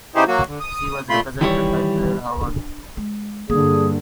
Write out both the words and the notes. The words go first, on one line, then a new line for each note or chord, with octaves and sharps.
She was represented by Blair Howard.
C#3 D#4 E4 G4 G#4 C5
F#3 A#3 F#4
D3
D#6
A#2 A3 F4 B5 C6
D#3 E3 G3 E4 A#4 C#5
D4
G#3
G2 D3 A#3 G#4